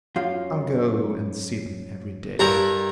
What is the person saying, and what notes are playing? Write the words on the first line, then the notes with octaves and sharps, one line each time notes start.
I'll go and see them every day.
F#2 F4 F5
G2 E4 A4 A#4 A#5